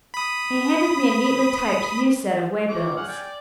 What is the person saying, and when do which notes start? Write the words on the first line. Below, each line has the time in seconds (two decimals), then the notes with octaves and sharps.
He handed me a neatly typed new set of way-bills.
0.14 B5 D#6
2.69 F3 C#5 D6
2.97 G#4 F#5 F6
3.08 D5 G5 G#5
3.25 D5